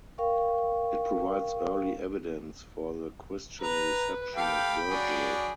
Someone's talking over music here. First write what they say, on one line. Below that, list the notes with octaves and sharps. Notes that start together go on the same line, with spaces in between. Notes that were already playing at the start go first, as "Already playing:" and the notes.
It provides early evidence for the Christian reception of Virgil.
A#4 F5 G5 C#6
B4 A#5
G4 A4 F5 G5 B5
F#3 D4 G#4